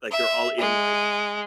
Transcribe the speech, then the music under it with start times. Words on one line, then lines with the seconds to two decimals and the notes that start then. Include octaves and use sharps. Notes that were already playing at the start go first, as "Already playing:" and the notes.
like, they're all in, like,
0.11 E5
0.59 G#3